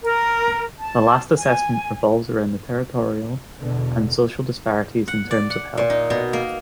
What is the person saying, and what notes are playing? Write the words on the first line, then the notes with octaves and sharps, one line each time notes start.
The last assessment revolves around the territorial and social disparities in terms of health.
A#4
A5
G#5
E2 B2 D3
F#5
D5
F#5
A#2
D#4
B2
A#3